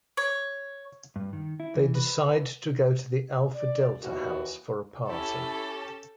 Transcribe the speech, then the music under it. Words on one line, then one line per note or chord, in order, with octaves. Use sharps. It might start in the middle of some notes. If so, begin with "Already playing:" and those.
They decide to go to the Alpha-Delta house for a party.
C#5
G2
D#3
E4
E3
B4
D5
D#2 A#2 E3 B3 F#4
C#4 E4 G4 A4 A5